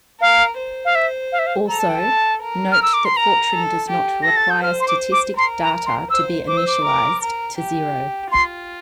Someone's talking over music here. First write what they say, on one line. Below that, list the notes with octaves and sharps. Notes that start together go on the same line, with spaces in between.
Also, note that Fortran does not require static data to be initialized to zero.
A#4 F5
C5
F5
E5
F5
E5
F5
A4 A#5
A5
G5
A5
A#4
F6
E6
D6
C6
A#4 A#5
A4
G4
A4 A#6
A6
G6
C5 F6
C6
D6
D6
A#4 C6
A#5
C6
C5 E6
C5 D6
E6
D6
A#4
A#4
G4
F4 C6